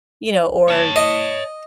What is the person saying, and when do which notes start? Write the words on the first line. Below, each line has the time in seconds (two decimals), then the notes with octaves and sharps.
You know, or,
0.68 C#5 A5
0.96 D#5